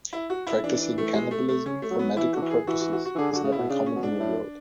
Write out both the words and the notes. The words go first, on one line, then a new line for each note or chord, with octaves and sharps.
Practising cannibalism for medical purposes is not uncommon in the world.
E4
F#4
E4
E3 D4
D4
A3
G#3
A3
A3
C#4
A3
F#3
B3
E3 E4
D3 F#4
E3
G#4
E3 F#4
F#4
F#4
F#4
E3
D3 G#4
D3 F#4
C#3
E4
B2
C#3 D4
C#4
B2
D4
G#2
A2